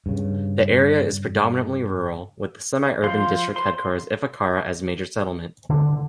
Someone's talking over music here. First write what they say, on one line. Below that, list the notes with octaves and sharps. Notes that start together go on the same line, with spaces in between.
The area is predominantly rural with the semi-urban district headquarters Ifakara as major settlement.
G2 C#3
F3 C5 F5 C6
C5 C6
D3